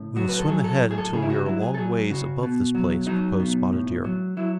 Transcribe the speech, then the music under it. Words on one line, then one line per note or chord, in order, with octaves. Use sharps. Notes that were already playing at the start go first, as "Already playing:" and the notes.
"We will swim ahead until we are a long ways above this place," proposed Spotted Deer.
Already playing: A2 C#3
F#3 F#4
B4
A4
F#3 G#4
A4
A2
G#4
A4
C#3 G#4
E4
F#4
F#3 E4
G#4
A4
F#3 G#4
C#3 F#4
B2
F#3
F#3 D#4
B2
A2
F#3
F#3 E4